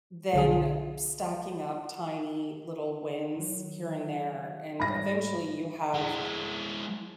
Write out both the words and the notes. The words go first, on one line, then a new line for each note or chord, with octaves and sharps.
then stacking up tiny little wins here and there, and, eventually, you have
B1 D3 G#4
D#3 F#3
G#2 G3 C#5 B5 A#6
G#3 E4